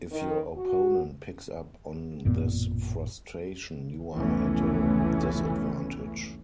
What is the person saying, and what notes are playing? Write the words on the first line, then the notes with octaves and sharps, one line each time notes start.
If your opponent picks up on this frustration, you are at a disadvantage.
D#3
F#4
A1 F#2 A#2 B3
F1 C#2 E3 A3 B3 C#4